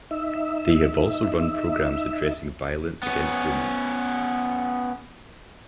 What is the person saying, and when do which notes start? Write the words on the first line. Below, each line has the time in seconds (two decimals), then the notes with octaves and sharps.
They have also run programs addressing violence against women.
0.11 D#4 E5
3.03 B3 C#4